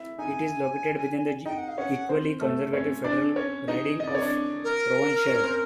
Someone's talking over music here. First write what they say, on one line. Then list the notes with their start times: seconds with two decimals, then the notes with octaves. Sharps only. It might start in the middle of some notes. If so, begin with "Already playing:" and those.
It is located within the equally conservative federal riding of Provencher.
Already playing: E4 E5
0.19 D#4 D#5 G#5
1.46 D#4 D#5 G5
1.57 F#5
1.68 F5
1.78 C#4 C#5 F#5
2.09 C4 C5
2.41 A3 A4
2.73 C#4 C#5
3.04 D4 D5
3.36 C#4 C#5
3.68 D#4 D#5
4.00 D#5
4.08 D5
4.15 C#5
4.22 D4 D5
4.64 A#4
5.27 C#4 C#5
5.43 C4 C5